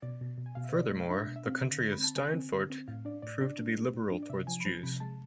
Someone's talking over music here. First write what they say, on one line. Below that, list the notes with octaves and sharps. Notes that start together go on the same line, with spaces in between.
Furthermore, the county of Steinfurt proved to be liberal towards Jews.
B2 D5
B2
B2
G#5
B2 F5
E5
B2 D5
G#3
F5
D4 E5
B2
E5
C4 F5
D3
D3
B5
C4
A5
D3 G#5
C4
D3
C4
A2 F5
D4 D5
A2 D5
D4 D5
D4
G#3
A2
D4
D5
C3 E5
F3 G#5
B5
F3 A5
C3 B5
G#3 A5